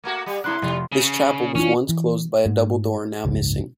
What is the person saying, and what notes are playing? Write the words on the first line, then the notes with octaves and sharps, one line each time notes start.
This chapel was once closed by a double door now missing.
A3 A#3 F#4
G3
C3 A3 E4 C6 F#6
F1 G3 F4
C#3
E3 C#4 D4 F4
E3
G#2
F#1 C#2 G#2